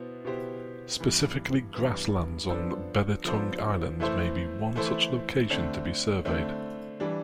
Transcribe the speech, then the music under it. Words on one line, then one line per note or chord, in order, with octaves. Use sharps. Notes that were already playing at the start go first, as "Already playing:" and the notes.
Specifically grasslands on Belitung Island may be one such location to be surveyed.
Already playing: B2 B3 E4 C5
B2 B3 E4 G4 C5
G2 E3 B3
G2 E3 B3
F3 B3 D4 A4 C5
F3 B3 D4 A4 C5
E3 A3 E4 A4 C5
E3 A3 E4 A4 C5
D3 A3 C4
D3 A3 C4
E3 G3 D4